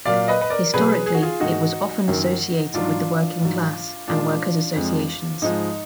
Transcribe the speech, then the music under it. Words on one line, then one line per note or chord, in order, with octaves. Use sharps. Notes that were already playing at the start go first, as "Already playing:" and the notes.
Historically, it was often associated with the working class and workers' associations.
A#2 F#3 D5 F5
B4 D#5
B4
A#4 D5
B2 F#3 G#4 B4
G#4
F#4
F4 G#4
G#2 D#3 G#3 D#4 F#4
F#2 D#3 F#3
G#2 F#3 D4 F4
G#2 F#3
A#2 G#3 D4 F4
F2 F3 G#3
G#2 F3 G#3 D#4